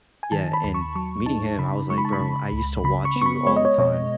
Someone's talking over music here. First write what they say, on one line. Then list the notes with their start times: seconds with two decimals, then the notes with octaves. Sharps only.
yeah, and meeting him, I was like, "Bro, I used to watch you all the time."
0.23 G#5
0.32 D#3 A5
0.53 B5
0.64 D#2 B5
0.74 C#6
0.95 F#3 C#6
1.26 D#4 A5
1.58 C#3 B5
1.90 G#3 C#6
1.98 B5
2.05 A5
2.13 B5
2.21 C#3
2.53 C#2
2.84 C#3 B5
3.05 C#6
3.16 B3
3.22 C#6
3.26 B5
3.47 G#3 C#5
3.56 D#5
3.65 C#5
3.78 B2 C#5